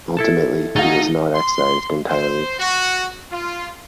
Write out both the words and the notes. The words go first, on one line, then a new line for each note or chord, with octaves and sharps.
Ultimately, he is not excised entirely.
E4 A4 A5
D2 D#4 F#4 G#4 F5 A6
C6
C5
F#4
F4